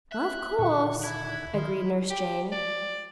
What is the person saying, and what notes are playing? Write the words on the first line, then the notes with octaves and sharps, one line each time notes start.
"Of course," agreed Nurse Jane.
E5 F#6
D2 A#2 D#3 F#5 C#6
E4 G#6
D#3 D#5 F5 C6
G4
D5